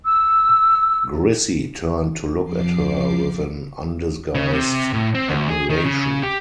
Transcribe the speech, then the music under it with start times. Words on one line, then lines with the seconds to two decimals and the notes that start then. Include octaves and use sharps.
Grissie turned to look at her with an undisguised admiration.
0.05 E6
2.44 F2 F3 D6 C7
4.35 C#3
4.53 C3
4.93 A2
5.15 C4
5.28 D2
5.50 G#4
5.70 D#3
5.85 C#3
6.23 G4